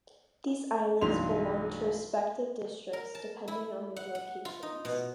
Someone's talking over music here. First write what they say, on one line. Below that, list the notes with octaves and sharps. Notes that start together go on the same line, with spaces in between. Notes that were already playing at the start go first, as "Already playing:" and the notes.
These islands belong to respective districts depending on their locations.
B1 G2 E3 D#4 C6 F7
A#4
A5
E4
F#5
F#5
F4
D#4
B2